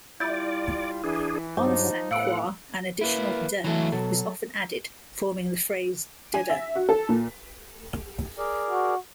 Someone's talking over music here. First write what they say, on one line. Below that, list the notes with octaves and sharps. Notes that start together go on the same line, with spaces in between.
On Saint Croix, an additional "deh" is often added, forming the phrase "deh-deh".
G3 E4 F4 D5 G6 A6
E3 D4 G#4
G2 F3 F#3 D#4 C5 D6
A2 C3 E3 B3 F5 F#5 E6 D7
A#3 E4 B4
E3 F#3 A3 A4
B2 F#3 A4
G#5
E5
F#4
A4
A#2
G#4 A#4 D5
F#4